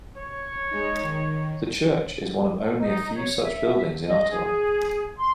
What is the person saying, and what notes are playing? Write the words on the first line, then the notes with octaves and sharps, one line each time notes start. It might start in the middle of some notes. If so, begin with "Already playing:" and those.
The church is one of only a few such buildings in Ottawa.
C#5
G#3 D#4
D#3
D#4
C#5
E5
D#5
G#4
C6